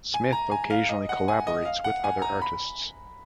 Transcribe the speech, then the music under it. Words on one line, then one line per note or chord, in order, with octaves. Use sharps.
Smith occasionally collaborates with other artists.
G#5
A#5
G#5
F5
D#5
F#5
G#5
D#5
F5
F#5
G#5
A#5
B5